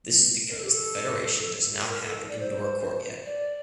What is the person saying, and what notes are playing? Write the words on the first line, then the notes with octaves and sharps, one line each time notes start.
This is because the federation does not have an indoor court yet.
A#4
A4
G4
A4
A#4
A4
D5
C5
D5